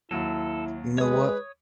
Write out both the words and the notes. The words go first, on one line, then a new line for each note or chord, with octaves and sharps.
"You know what?
D#2 F#3 E4 A4
G#3 B4 C#5 D#6